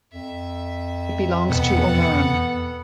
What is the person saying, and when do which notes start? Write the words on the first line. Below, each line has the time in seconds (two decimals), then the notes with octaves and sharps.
It belongs to Oman.
0.13 F2 E5
1.49 E2 B2 B3 A4 F#5